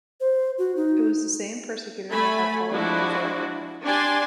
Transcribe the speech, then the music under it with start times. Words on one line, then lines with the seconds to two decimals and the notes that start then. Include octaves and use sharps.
It was the same persecutor that had followed him before.
0.21 C5
0.58 F#4
0.77 D#4
2.11 A3 G#5 B5
2.71 F3 G#3 D4 E4 F#4 D5
3.83 D4 G4 D5 G#5 C6